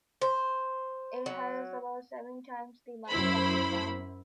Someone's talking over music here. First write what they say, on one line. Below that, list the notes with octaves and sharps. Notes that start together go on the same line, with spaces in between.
It has about seven times the mass of the Sun.
C5
F#3
F#2 E4 C5 B5